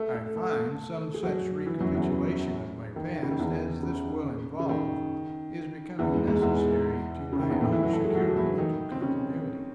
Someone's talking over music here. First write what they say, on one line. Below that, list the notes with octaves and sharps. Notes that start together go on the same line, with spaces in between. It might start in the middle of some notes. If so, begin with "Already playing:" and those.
I find some such recapitulation of my past as this will involve, is becoming necessary to my own secure mental continuity.
Already playing: A3 A4
A3 A4
A3 A4
G#4
F#3 F#4
E3 E4
F#2 F#3
E2 E3
C#3
D#3
C#3
D#3
E2 E3
C#3
C#3
D#3
E2 E3
G#2 G#3
G#2 G#3
E2 E3
C#3
D#3
E2 E3
A2 A3
E3 E4
F#3 F#4
A3 A4
G#3 G#4
F#3 F#4
F#4
E3 E4
D#3 D#4
C4
C#3 C#4